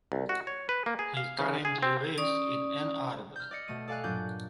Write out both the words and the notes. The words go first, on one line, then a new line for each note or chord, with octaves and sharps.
He currently lives in Ann Arbor.
C2
F#4
C#5
B4
A#3
G#4
F5
C#3
G#4
C4
C#4 D5 D#6
F6 G6
D5 D#5 C#7
B2 A3 D#7
A4 D5 F5 G#5 F#6
G2 A#2 F#3 D4 G6